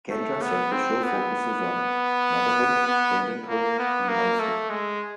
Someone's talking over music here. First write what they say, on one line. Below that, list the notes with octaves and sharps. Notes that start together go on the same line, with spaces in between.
Kendra said the show focuses on "motherhood, parenthood, and wife hood".
A3
B3
C4
B3
B3
A#3
B3
A#3
A3
G#3